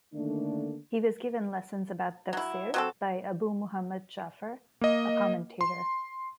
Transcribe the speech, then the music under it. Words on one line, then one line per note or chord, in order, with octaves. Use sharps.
He was given lessons about Tafsir by Abu Muhammad Ja'far, a commentator.
D3 D#3 A3 A#3 D4
F#3 E4
F#3 C4 A4
A#3 D#5
C6